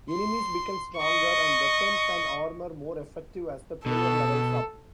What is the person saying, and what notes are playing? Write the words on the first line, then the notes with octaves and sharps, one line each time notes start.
Enemies become stronger and weapons and armor more effective as the player levels up.
C6
D#5 C#6
B2 A4